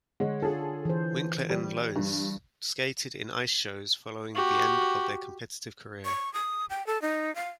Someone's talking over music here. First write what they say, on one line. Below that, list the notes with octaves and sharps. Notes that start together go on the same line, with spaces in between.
Winkler and Lohse skated in ice shows following the end of their competitive career.
D3 G#3 C#5 F#5
D4 F4 G#4 A4
E3 C5
G3
G2
F#4 G4
C#6
D#6
G5
A4
D#4
F5